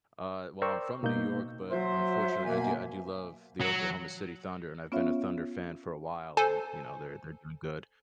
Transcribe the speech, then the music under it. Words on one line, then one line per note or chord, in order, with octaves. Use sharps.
Uh, well, I'm from New York, but unfortunately I do I do love the Oklahoma City Thunder, and I've been a Thunder fan for a while and, you know, they're they're doing good.
A#4 C5 D5 G5 C#6 E6
B2 A#3 D#4 G6
F#3 C5 E5
B2 A#3 G#5
F#3
B3 C#4 F4 C#5 E5 F5
A4 C5 G#5